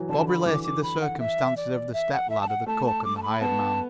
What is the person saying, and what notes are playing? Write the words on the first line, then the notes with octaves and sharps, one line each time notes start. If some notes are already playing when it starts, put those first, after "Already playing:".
Bob related the circumstances of the step-ladder, the cook and the hired man.
Already playing: E3 F#3
D3 A5
B5
E3 D6
D6
B5
F#5
E5
D5
E5
F#5
E5
A5
F#5
A3 A5
A5
D6
A5
B5
B3 A5